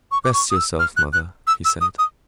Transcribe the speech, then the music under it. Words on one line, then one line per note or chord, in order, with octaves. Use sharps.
"Rest yourself, mother," he said.
C#6
D6
C#6
D#6
E6
F6
F#6
F#6
E6
E6
D#6
D#6